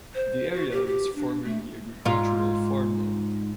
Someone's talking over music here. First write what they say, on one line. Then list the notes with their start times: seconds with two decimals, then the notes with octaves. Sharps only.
The area was formerly agricultural farmland.
0.14 C5
0.54 F#4
0.72 G4
0.86 G4
1.15 D4
1.44 A3
2.05 G#2 F4